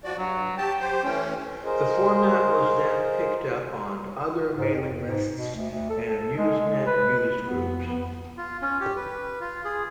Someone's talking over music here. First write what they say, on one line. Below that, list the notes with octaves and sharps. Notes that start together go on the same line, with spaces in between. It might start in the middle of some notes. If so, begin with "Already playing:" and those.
The format was then picked up on other mailing lists and Usenet news groups.
F3 F#4 D5
G2 F#3
G4 G5 A5
G4 C5
E3 A3 C#4
F4 G#4 A#4 C5 D#5
G#2
F2
G#2
B2
D2
D2
A4
A4
G#3
G#3
B4
F2 B3
F4
C#4
G4
B4
F4
G#4